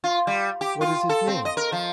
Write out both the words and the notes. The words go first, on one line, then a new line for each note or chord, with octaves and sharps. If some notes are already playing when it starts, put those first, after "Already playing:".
"What is his name?"
F4
G3
G4
F4
A4
C4
D#5
A#4
F3